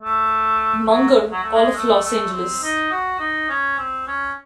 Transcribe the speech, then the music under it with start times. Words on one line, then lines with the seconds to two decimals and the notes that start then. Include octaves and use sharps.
Munger, all of Los Angeles.
0.02 A3
0.89 F#3
1.32 F#3
1.43 A3
1.54 G#3
1.75 A3
2.04 A3
2.33 C4
2.63 D#4
2.91 F#4
3.19 D#4
3.49 C#4
3.78 C4
4.07 C#4